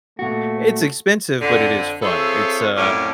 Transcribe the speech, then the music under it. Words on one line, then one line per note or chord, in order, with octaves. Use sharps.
It's expensive, but it is fun, it's, uh
A#2 A3 F#4
F2 D3
C4 F4 G#4 A4 C#5 E5
F2 A2 F#3 C#4 A#4 D5